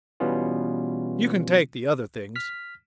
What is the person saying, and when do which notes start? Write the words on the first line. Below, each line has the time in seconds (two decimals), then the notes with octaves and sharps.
"You can take the other things."
0.20 B2 E3 G3 B3 C#4 F4
2.36 F6 B6